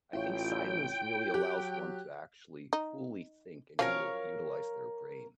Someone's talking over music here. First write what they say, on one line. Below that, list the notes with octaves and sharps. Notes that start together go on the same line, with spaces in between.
I think silence really allows one to actually fully think and u u utilize their brain.
A1 E4 F4 C#5 G5
F#3 G4 F#6
D#4
F3 F#3 C#4 A#4 C#5 F5